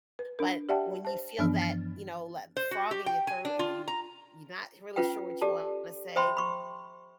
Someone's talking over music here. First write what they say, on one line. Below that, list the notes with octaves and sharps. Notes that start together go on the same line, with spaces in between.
but when you feel that, you know, that frog in your throat, and you you not really sure what you want to say,
B4
D4 A#4
G4 D5 E5 F#5 G5 A5
C5 A5
G2 E3 F3 B3 D4 F6
A6
C5
F#4
G4
G5
G#5
D4
F4
A#5
C#4 F4 B4 F#5 G5
G4 A4 D5 A5
C5 E5 G5 B5 C6
B5 C#6